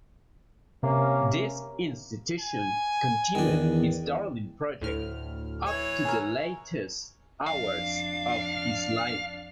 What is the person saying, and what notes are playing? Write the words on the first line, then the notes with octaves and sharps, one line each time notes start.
This institution continued his darling project up to the latest hours of his life.
C3 A#3 C#4
G#5
E2 D#3 D4
D2 A2 F6
E3 C#5
G#4 A#4
F2 D4 F5